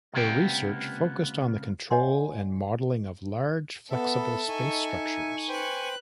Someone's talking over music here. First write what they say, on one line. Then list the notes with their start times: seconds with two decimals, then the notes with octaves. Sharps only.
Her research focused on the control and modeling of large, flexible space structures.
0.14 C#2 C3 A#3 B3 G5
1.91 C#5 D#5 F#5 G#5 C6
3.90 B3 A4 E5
4.49 D#4 G#5 C#6
5.49 B4 C5 G5 F#6